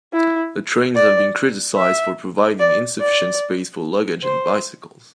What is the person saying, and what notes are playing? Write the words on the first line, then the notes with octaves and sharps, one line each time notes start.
The trains have been criticised for providing insufficient space for luggage and bicycles.
E4
D5
E5
D5
D5
C5